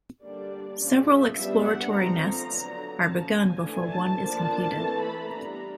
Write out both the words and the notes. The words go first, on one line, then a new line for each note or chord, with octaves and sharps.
Several exploratory nests are begun before one is completed.
D3 G3 A#3 D4 D5
F3 G#3 C#4 D5
E5
G3 B3 D4 E5
F#5
F3 A3 C4 A#5
A#5
D3 F#3 B3 D4
F3 A#3 C#4 A5
G#5
E3 A3 D4 G#5
A5
F3 A#3 D4 A5
E3 A3 C4
B5
G3 B3 D4 A#5